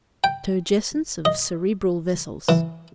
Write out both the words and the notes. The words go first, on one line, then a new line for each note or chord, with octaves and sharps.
Turgescence of cerebral vessels.
G5
D#5
E3